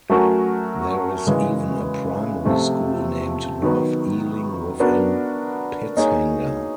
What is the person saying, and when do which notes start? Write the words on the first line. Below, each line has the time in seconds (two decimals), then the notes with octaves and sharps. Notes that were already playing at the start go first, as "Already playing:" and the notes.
There is even a primary school named North Ealing within Pitshanger.
0.10 F#3 A3 C#4 F#4 A#4
1.27 C#3 E3 G#3
2.45 C3 F3 A3 C4 F4
3.62 D#3 F#3 B3
4.80 B3 D4 F#4 A#4
5.97 A#3 D#4 G#4 C#5